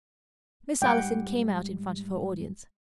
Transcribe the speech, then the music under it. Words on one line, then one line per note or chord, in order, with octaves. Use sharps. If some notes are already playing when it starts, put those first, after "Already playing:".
Miss Allison came out in front of her audience.
G#2 G3 F#5 G5